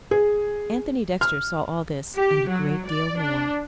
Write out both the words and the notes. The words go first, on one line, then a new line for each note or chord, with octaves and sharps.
Anthony Dexter saw all this--and a great deal more.
G#4
F6
G4
F#3
D5
D4